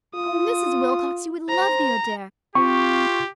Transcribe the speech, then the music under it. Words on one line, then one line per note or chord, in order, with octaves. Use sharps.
Oh, Mrs. Wilcox, you would love the Oder!
F4 D#6
C5 A#5
C4 F4 G4 C#6